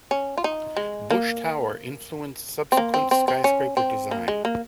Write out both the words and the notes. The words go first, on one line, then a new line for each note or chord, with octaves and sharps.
Bush Tower influenced subsequent skyscraper design.
C#4
F4
D#4
G#3
A#3
C4
A#3
C4
C4
C4
C#4
C4
A#3
G#3
A#3